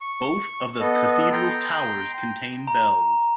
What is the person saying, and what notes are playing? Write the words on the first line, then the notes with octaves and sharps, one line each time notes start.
Both of the Cathedral's towers contain bells.
C#6
B3 A4 D#5
G5 A#5 C6
A#5